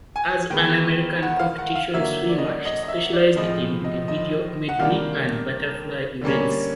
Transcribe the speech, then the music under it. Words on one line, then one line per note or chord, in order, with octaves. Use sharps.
As an American competition swimmer she specialized in Individual Medley and butterfly events.
G#5
D#3 G#3 B3 G5
F#5
F5
F#5
F5
D3 F#3 A#3 E5
D5
D#5
D5
D#5
D#5
E5
D5
A2 F3 G#3 C4 D#5
D#5
D#5
F#5
C3 D#3 G3 A#3 D4 F5
D3 G3 A#3 C#4